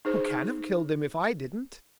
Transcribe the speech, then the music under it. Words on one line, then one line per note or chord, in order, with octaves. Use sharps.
Who can have killed him if I didn't?
D#4 G#4 C5